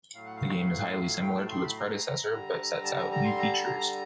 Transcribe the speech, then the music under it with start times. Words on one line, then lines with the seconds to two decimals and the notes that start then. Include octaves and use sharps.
The game is highly similar to its predecessor, but sets out new features.
0.14 A2 F#3 A3 F5
0.26 F#5
0.36 F5
1.22 G5
1.37 A5
1.50 C6
1.63 B5
1.77 A#5
2.31 D3 G3
2.84 A5
2.99 A#5
3.12 A#5
3.25 C6
3.39 A#5
3.53 A5
3.65 A#5
3.79 A#5